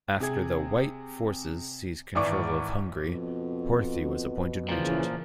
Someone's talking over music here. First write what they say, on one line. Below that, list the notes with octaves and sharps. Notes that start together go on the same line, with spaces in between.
After the "white" forces seized control of Hungary, Horthy was appointed Regent.
C3 G#4 G#6
G#1 E3 D5 C#6 D6
F2 B2
A#2 C#3 E3 F3